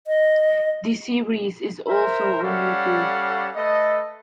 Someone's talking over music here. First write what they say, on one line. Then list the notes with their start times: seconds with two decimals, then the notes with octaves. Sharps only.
The series is also on YouTube.
0.07 D#5
1.89 A#4 C5 E5
2.43 G3 C#4 A4 C#5 F5 F#5
3.56 A3 A4 B4 D#5